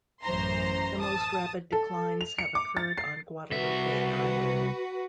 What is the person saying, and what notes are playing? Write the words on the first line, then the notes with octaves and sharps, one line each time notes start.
The most rapid declines have occurred on Guadalupe Island.
A1 F#2 E3 C5 A#5 C6
A5 D#6
A4
F7
C#7
D6
A6
C7
C2 F#4 B4 E5